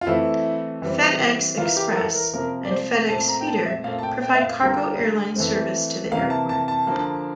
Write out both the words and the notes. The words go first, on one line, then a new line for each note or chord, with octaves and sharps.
FedEx Express and FedEx Feeder provide cargo airline service to the airport.
F4
E3 A3 C4 E4
E3 G3 C4
E3 A#3 F4
G4
A#4
A4
A#4
C3 F3 A#3 A#4
D5
C5
A#2 A3 C4 A5
A#5
G5
A5
E5
A#2 A3 C4 F5
A5
G5
G5
E5
F5
D3 G3 A#3 G5
E3 A3 C4
C3 E3 A#3 F5
A5
A5
A5
D3 F3 A#3